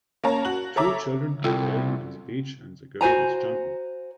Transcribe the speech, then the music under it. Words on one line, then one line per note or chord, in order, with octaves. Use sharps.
Two children are playing on the beach and the girl is jumping.
A#3 C#4 C#5 A5 A#5
F#4 F#7
A4 C#5 E5 A#5 D6 E6
C2 F4 A4 G5
F#4 C5 G#5 A#5